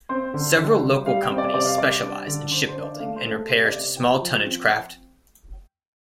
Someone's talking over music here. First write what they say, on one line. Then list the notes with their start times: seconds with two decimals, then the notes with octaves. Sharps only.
Several local companies specialise in shipbuilding and repairs to small tonnage craft.
0.09 C4 C5
0.34 D3
0.58 D3
0.82 G3
1.06 G3 F5
1.23 G5
1.30 C4
1.38 D5
1.54 C3 D5
1.66 F5
1.78 G3 D5
2.03 D4
2.27 D3
2.51 D3 C5
2.68 C5
2.76 D4
2.84 D5
3.00 A3 F5
3.16 C5
3.25 A3
3.32 A4
3.49 C3 C5
3.65 D5
3.73 C3
3.97 F3 G5
4.22 F3
4.45 C4